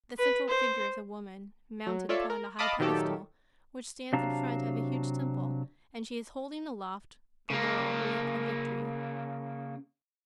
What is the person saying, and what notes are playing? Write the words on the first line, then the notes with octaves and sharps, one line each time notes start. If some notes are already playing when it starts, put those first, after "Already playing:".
The central figure is a woman, mounted upon a high pedestal, which stands in front of a huge temple, and she is holding aloft the laurel wreath of victory.
B4
C5
F#3
F4 A4 C#5 D5 E5
A#4
D#5 F5 A5 B5 D6 D#6
A#2 D#3 F#3 A3 G4 A4
C3 F#3 D4 F5 A5 A#5
C#3 A#3